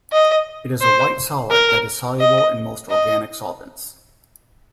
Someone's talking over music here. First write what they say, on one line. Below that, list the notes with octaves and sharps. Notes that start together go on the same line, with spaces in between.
It is a white solid that is soluble in most organic solvents.
D#5
C5
A#4
D#5
D#5